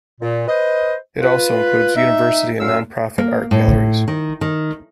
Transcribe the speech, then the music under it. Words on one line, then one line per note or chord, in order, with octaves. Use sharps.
It also includes university and non-profit art galleries.
A#2
B4 C5 D#5
F4 B4
D#4 E5
F#2 A#2 F5 E6
A#3
A2
D#3
D#3